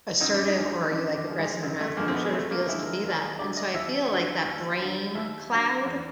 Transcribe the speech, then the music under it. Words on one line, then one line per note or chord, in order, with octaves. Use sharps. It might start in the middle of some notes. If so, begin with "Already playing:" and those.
assertive or are you, like, aggressive and wrathful? There sort of feels to be that. And so I feel like that brain cloud,
F#2 D#4
D4
D#4
D3 F3 G#3
F#2 D4
D4
D3 F3 G#3
G#3
F#2
A3
D3 F3 G#3 A#3
C4
B3
G#3
F#2 A3
A#3
D3 F3 G#3 E4
A#4
D#2 A#4
G#4
D3 F#3 D5
D#5
D#2 E5
D3 F#3
D#2
D3 F#3
D#2 E5
D3 F#3
E2